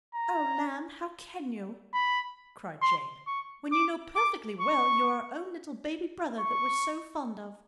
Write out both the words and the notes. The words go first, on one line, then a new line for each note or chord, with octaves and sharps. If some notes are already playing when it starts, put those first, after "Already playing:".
'Oh, Lamb! how can you?' cried Jane - 'when you know perfectly well you're our own little baby brother that we're so fond of.
A#5
B5
C6
C#6
D6
D6
C#6
C#6